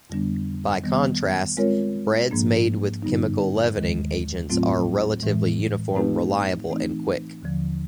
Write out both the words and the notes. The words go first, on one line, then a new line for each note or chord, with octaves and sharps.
By contrast, breads made with chemical leavening agents are relatively uniform, reliable, and quick.
F2 D3 G3 B3 D4
D#3 G3 B3
G#3 C4 F4 A#4 C#5
G#2 F3 A#3 D4
G2 D3 G3 B3 D#4
D#2 D#3 G#3
A2 F#3 A3 C4 F4
A2 E3 G#3
A3 C4 D#4 G4 B4
E3 A3 C4 D#4
D#2 D3 F3